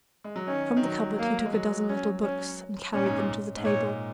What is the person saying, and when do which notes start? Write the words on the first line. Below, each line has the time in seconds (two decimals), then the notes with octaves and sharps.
From the cupboard he took a dozen little books and carried them to the table.
0.24 G#3
0.36 F#3
0.47 D#3 C#4
0.77 D#3
0.83 F#3
1.18 A#3
1.46 G#3
1.53 F#3
1.89 C#4
2.23 C#4
2.93 A#2 C#4
3.06 G#2
3.18 A#2
3.57 G#2
3.65 A#2 C#5